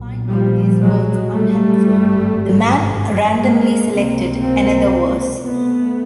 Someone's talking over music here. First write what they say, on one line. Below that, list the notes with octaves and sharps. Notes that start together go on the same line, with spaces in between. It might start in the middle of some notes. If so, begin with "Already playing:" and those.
Finding these words unhelpful, the man randomly selected another verse.
Already playing: B1 A#2
F3 G3
F#3 G#3
G3 A3
G#1 G2
G#3 A#3
C#2 C3 A#3 C4
A#3 C4
A3 B3